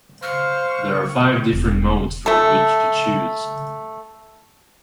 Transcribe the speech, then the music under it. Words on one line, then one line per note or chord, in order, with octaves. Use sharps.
There are five different modes from which to choose.
C5 F5 C#6 F6
E1
A3 A4